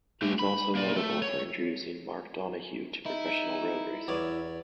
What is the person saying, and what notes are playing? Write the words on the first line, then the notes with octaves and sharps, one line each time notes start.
He also was notable for introducing Mark Donohue to professional road racing.
A3 G4
B5
A#3 D5
A3 A4
C#5
D#4 E4
E2 C#5 D5